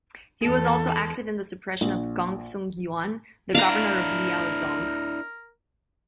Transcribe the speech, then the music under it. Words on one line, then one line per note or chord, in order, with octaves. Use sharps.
He was also active in the suppression of Gongsun Yuan, the governor of Liaodong.
E2 A4
A#1
D4 E4 A#4 F5 A#5